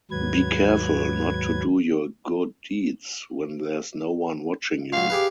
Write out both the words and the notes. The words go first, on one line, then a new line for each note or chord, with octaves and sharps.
Be careful not to do your good deeds when there's no one watching you.
D#2 G#2 F#3 B4 G#6
A#2 F#3 F5
G4 G#4 B4